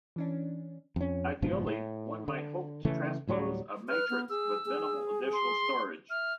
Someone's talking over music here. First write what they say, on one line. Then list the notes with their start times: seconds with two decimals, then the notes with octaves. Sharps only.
Ideally, one might hope to transpose a matrix with minimal additional storage.
0.16 E3 C#4 D4
0.96 F2 C#4
1.42 F#1 G#2 B2 F3
1.67 A2
2.28 D3
2.85 C#3 E3 A3
3.28 D2 A2 F#3 G3
3.89 B4 F6
4.10 B3
4.30 G#4 E6
4.66 G#4
5.33 C6
6.10 E5 F6